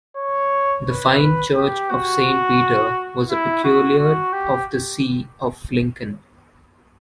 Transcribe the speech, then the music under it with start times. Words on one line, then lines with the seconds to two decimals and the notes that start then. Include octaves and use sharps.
The fine church of Saint Peter was a Peculiar of the see of Lincoln.
0.16 C#5
0.86 B4
1.56 G4
1.90 F#4
3.29 E4
3.64 F#4
3.99 F#4
4.33 G4